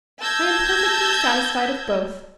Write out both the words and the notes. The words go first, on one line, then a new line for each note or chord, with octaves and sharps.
"I am perfectly satisfied of both."
A5 E6 G6 G#6 A#6